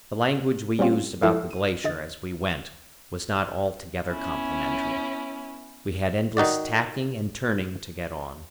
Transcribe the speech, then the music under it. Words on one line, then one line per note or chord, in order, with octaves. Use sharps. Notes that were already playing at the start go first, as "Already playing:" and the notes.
The language we used about the glacier as we went was not altogether complimentary; we had endless tacking and turning to get on.
G3 C4 C#4 F4 G4
F3 G#3 E4 A4 E5 E6
D#7
D3 D#5 A6
B3 C#4 E4
D#3 D#4 F#4 D5